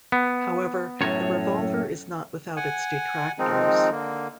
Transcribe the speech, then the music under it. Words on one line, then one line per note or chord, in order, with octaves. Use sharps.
However, the revolver is not without its detractors.
B3
F#2 A2 C#5
F#5 G#5
D#3 F3 G#3 C4 D#4
D3 A#3